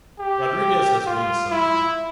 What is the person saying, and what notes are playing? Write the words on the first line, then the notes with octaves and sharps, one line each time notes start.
Rodriguez has one son.
G4
F4
E4